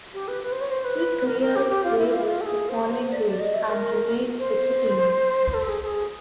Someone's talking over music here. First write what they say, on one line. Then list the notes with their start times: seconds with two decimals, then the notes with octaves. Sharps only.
He cleared waivers the following day and remained with the team.
0.14 G4
0.28 B4
0.43 B4
0.52 C5
0.61 C#5
0.71 C5
0.84 B4
1.27 A#4
1.42 A#4
1.56 G4
1.70 G4
1.84 F4
1.98 E4
2.13 F4
2.27 F4
2.41 A4
2.46 G#4
2.69 C5
2.84 C5
3.12 D5
3.26 D5
3.40 D#5
3.54 E5
3.69 A#4
4.39 C5
5.54 A4
5.67 G#4
5.81 A4
5.86 G#4